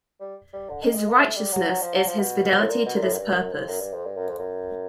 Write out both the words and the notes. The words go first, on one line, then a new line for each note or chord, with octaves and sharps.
His "Righteousness" is His fidelity to this purpose.
G3
G3
D3
D#3
G#3
A#3
A3
G3
F#3
F#3
F3
F#3
F3
B2
A2
A#2
B2
A#2
A2
F#2
G2
F#2
F2
F#2
G2
F2
G2
F#2
F2
F#2